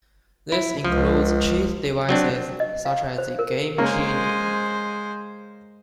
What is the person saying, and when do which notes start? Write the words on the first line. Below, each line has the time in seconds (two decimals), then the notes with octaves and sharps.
This includes cheat devices, such as the Game Genie.
0.52 E4
0.85 C#2 F3
2.09 F#3 C4 D4
2.60 D#5
2.85 F5
3.18 C5
3.39 A#4
3.78 C#3 G#3 A#3 C#4 C5